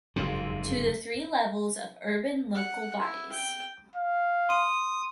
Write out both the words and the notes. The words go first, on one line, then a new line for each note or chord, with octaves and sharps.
To the three levels of urban local bodies.
F#1 F2 G#2 C3
F#5
E4
G5
F5
C6 D#6 D#7